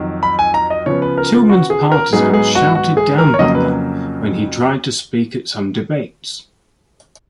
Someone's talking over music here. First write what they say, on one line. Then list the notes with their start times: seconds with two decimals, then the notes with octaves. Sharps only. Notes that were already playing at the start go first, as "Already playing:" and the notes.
Tillman's partisans shouted down Butler when he tried to speak at some debates.
Already playing: F2 D#3 F#3
0.23 B5
0.39 G#5
0.54 A#5
0.70 D#5
0.86 C#3 F3 B3 C#5
1.02 B4
1.18 A#4
1.34 F4
1.49 F#4
1.70 G#4
1.92 A#4
2.13 G#2 F#3 B3 G#4
2.34 G#4
2.55 F#4
2.75 F#4
2.97 G#4
3.18 A#4
3.34 C#5
3.39 F2 C#3 F#3 A#3 D#5
3.55 B4